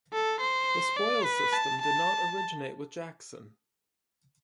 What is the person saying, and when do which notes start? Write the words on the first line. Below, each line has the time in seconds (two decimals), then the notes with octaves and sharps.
The spoils system did not originate with Jackson.
0.13 A4
0.40 C5
0.96 D5
1.25 B4
1.53 A5
1.82 A5